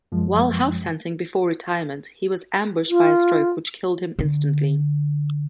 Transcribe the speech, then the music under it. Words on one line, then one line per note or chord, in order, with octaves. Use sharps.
While house-hunting before retirement he was 'ambushed by a stroke which killed him instantly'.
F#2 F3 G#3
F4
D3